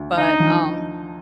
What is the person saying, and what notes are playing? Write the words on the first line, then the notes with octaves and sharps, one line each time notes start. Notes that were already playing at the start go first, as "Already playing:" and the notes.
but, um
Already playing: D2
D3 D#4
F3